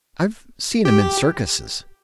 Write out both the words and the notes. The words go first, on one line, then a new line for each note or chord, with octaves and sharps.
"I've seen 'em--in circuses."
G4